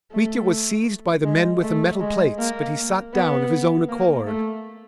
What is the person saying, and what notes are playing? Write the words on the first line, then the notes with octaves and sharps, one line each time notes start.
Mitya was seized by the men with the metal plates, but he sat down of his own accord....
A3
G#3
A3
G#3
A#3
B3
A#3
A3